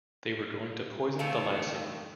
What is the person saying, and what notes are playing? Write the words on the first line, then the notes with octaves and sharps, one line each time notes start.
They were going to poison the lassie.
D#3 E3 A3 C4 A4 F5